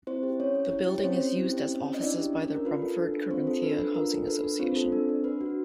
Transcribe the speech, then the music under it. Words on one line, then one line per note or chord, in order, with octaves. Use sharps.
The building is used as offices by the Bromford Corinthia Housing Association.
C4 E4 C5
G4
C#4 C#5
C#4
E4
G4
C#5
C4 C#4 C5
C#4
E4
G4
C#4
C#4
D#5
D4 E4 D5
G4
C#4
C#4
A#4
F4 B4
A4
D4
D4
C4 F4 C5
A4
D4 B4
D4
F4 A#4
A4
D4 B4
D4
C4 F4 C5
A4
D4
D4
D4 B4
F#4